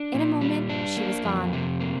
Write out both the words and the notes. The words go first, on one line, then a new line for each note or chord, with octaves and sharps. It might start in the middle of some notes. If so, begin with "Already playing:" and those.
In a moment she was gone.
Already playing: D4
A#2
G3
D4
A#3
F2
C3
A#3